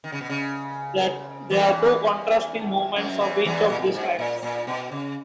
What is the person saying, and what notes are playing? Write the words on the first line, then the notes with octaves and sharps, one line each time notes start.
There are two contrasting movements of each of these types.
D#3
C#3
B2
C#3
E2 E3
F#2 F#3
E2 E3
E2 E3
A#2
B2
A#2
G#2
A#2
A#2
B2
C#3